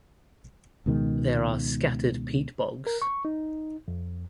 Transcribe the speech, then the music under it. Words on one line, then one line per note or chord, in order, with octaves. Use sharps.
There are scattered peat bogs.
C#2 B2 D#3 G#3
A#4
C#6
D#4
F2